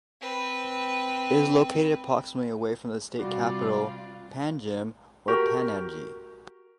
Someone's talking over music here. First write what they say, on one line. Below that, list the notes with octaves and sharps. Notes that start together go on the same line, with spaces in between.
It is located approximately away from the State capital Panjim or Panaji.
C4 B4
C3 G3 F4 F#4 D5
F#4 G4 A#4